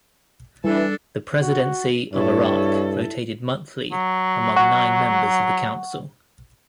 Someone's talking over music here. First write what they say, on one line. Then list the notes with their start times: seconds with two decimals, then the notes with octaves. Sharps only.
The presidency of Iraq rotated monthly among nine members of the council.
0.64 E3 G3 D4 A4
1.41 F#4
2.14 G2 E4 A4 C#5
3.92 F#3
4.56 F#5 C#6